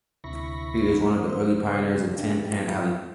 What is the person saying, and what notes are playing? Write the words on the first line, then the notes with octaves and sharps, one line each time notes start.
He is one of the early pioneers of Tin Pan Alley.
D2 C3 E4 B5 C#6 A#6
C5
C#3
G2
G4
F4